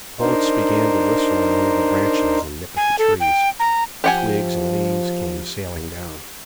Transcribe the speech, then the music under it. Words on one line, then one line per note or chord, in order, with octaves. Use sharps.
Bullets began to whistle among the branches and nip at the trees. Twigs and leaves came sailing down.
D4 D#4 A#4 C5
G#5
A4
G5
A#5
F3 G4 F#5 G#5